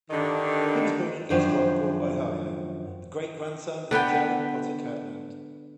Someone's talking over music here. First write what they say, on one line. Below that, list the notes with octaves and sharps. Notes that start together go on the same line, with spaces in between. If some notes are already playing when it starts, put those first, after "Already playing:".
He was born in East Rockport, Ohio, the great-grandson of Jared Potter Kirtland.
G2 D3 D#3
F#2 D#3 F3 D4 C5
D3 B3 B4 G5